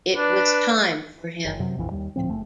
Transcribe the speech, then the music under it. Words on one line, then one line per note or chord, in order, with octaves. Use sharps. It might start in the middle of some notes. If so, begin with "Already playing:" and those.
It was time for him.
D4 B4
F#1
F#2 C3 F#3
A#1 F2 E3
D#2 G3
D2 A2 F3 C4
F#1 A3